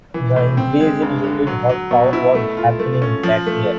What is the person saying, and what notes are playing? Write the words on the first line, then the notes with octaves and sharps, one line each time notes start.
The increase in unit horsepower was happening that year.
E3
A2
C4
G#3
G2
D3
F#3
F#3
B2
E4
A3
F4
A3
C#4
F3
A3